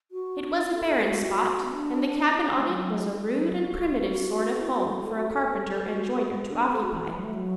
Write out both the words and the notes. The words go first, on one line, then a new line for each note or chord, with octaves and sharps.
It was a barren spot and the cabin on it was a rude and primitive sort of home for a carpenter and joiner to occupy.
F#4
D4
E4
A4
A4
A4
F#4
B3
D4
E4
D4
A3
F#3
F#3
F#4
F#4
E4
F#4
A4
F#4
A4
F#4
D4
A4
F#4
E3
E3
F#3
A3
F#3